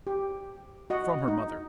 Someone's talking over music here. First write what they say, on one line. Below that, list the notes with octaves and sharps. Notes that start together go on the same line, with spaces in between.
From her mother.
G4
F#4 D#5 F#5
D#4